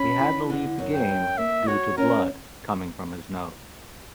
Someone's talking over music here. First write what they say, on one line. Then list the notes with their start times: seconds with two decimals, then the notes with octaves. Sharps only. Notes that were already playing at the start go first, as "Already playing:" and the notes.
He had to leave the game due to blood coming from his nose.
Already playing: C#4 B5
0.19 E3
0.50 D3
0.79 F#2
0.94 G5
1.09 F#2
1.38 A#3 E5
1.67 F#4 C#5
1.97 C#4 A#4